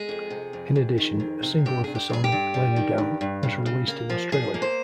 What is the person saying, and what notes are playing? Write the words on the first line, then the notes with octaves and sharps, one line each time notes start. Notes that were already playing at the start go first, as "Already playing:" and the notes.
In addition, a single of the song "Lay Me Down" was released in Australia.
Already playing: G#3 G#4
F2
C3
F2
F2
D#3
F2
C3
G2 G4
G2 G#4
G4
G2 G#4
G4
G2
G3
D#3
G2
G2
C#3
C#3
A#3
F3
F3 G#4
A#3
C5